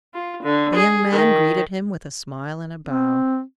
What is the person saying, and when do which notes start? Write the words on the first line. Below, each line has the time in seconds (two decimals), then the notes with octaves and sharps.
The young man greeted him with a smile and a bow.
0.14 F4
0.43 D3
0.75 G#4
1.12 D#3
2.87 C4